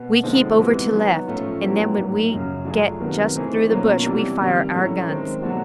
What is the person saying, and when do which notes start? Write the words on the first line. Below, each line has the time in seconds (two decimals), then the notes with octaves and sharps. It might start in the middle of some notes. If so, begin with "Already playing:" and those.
We keep over to left, and then when we get just through the bush we fire our guns.
Already playing: B2 B3
0.23 D3 F3 G#3 C4 D#4
0.59 C3 E3 G#3 B3
0.92 F#3 B3 D#4 F#4
1.27 A2 F3 A3 C#4 F4
1.62 A#2 F#3 B3 E4 G4
1.97 A2 F#3 A#3 D#4
2.32 F#2 C#3 F#3
2.65 F#3 A3 D4 F4 G#4
3.00 C3 D#3 F#3 B3
3.35 E3 A3 C4 D#4 G#4
3.69 B2 F#3 A#3 C#4 F4
4.03 C3 E3 G3 B3 D4
4.38 C3 D#3 G3
4.72 A2 F#3 A3 C#4 E4
5.07 D#3 G#3 C4
5.42 B2 F#3 A3 D4 F#4